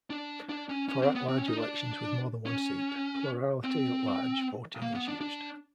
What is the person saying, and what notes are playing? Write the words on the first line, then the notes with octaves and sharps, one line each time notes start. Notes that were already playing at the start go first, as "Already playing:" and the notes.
For at-large elections with more than one seat, plurality-at-large voting is used.
D4
D4
C#4
C#4
C4
B3
C4
C#4
D#4
D4
C#4
C4
A#3
B3
D4
D4